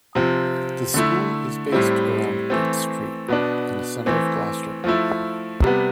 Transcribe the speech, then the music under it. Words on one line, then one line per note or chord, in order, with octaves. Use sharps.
The school is based around Pitt Street in the centre of Gloucester.
C3 F3 C4
D3 A3 E4
A2 G3 C4 E4
E3 A3 C4
B2 B3 D4
E3 A3 C4
F3 A3 E4
C3 G3 B3